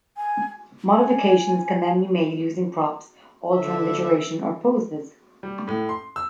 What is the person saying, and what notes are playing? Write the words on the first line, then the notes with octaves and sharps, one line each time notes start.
Modifications can then be made using props, altering the duration or poses.
G#5
G#5
D3 E5
G3
A2
C6
E6